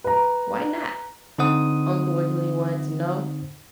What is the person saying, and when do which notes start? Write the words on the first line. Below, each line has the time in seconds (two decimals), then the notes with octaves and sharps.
"Why not?" Uncle Wiggily wanted to know.
0.04 B4 A#5
1.39 D3 C4 D#4 C5 F#5 D#6